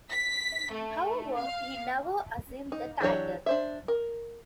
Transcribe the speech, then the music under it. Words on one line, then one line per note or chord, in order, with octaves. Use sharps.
However, he never assumed the title.
B6
A3
F5
D#4
E3 F#3 D4 G4 C#5
D4 C5 E5
A#4